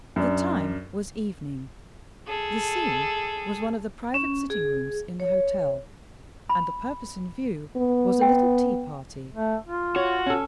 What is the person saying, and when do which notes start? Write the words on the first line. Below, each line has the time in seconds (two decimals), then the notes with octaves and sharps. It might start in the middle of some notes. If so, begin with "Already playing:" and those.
The time was evening; the scene was one of the private sitting-rooms in the hotel; and the purpose in view was a little tea-party.
0.16 F#2 D4
2.27 G#4 A4
4.14 C#4
4.50 G#4
5.20 C#5
6.49 B5
7.77 B3
8.21 G5
9.34 A3
9.68 F4
9.96 F#4 C#5
10.26 C#4 A4